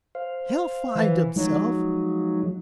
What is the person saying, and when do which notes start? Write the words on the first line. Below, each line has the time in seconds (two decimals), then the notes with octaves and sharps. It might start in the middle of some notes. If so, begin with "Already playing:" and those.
He'll find himself.
0.15 C5 F5
0.96 E3
1.36 F3 F#3 G#3 D#4